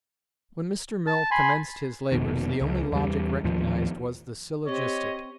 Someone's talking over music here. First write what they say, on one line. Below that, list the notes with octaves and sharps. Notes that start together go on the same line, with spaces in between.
When Mr. Mill commenced his labors, the only logic recognized was the syllogistic.
A5
G#5 B5 C6
F1 B2 D#3
C#2
E2 G3
D#2 A2 F3
C4 G4 C#5 D#5